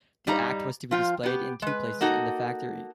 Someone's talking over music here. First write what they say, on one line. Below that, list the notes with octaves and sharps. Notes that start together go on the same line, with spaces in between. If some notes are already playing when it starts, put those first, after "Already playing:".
The Act was to be displayed in two places in the factory.
G2 G3 D#4 A#5
F3 F4 G5
B3 G4
G#3 B4
A#3 D#4 F#4 A4